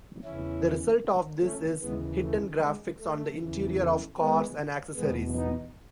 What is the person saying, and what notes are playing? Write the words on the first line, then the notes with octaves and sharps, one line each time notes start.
The result of this is hidden graphics on the interior of cars and accessories.
E2 C#3 E3 C#4 E4
A3 C#4
D#2 C#3 E3 G#3 B3
A3
G#3
A3
E2 C#3 E3
A3
G#3 B3
E2 B2 G#3 B3
B3 D#4